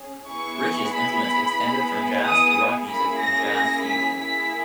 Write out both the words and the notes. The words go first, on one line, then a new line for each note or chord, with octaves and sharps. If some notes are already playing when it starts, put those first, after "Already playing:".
Rich's influence extended from jazz to rock music and jazz fusion.
Already playing: C#4 G#4
B3 E4 G#4 C#6
B5
B3 E4 G#4
D#6
A#3 C#4 E4 G#4 B5
A#6
A#6
B6
A#3 E4 G#4 B6